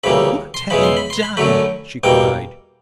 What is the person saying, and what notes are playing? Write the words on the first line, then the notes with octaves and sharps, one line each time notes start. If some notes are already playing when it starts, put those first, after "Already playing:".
'What have you done?' she cried.
D2 C#3 E3 G3 A#3 B5
C6
E2 C#3 E3 G#3 B5
C6
B5
C6
B5
F#2 D3 F#3 A3 B5
E2 B2 G3 A#3 G5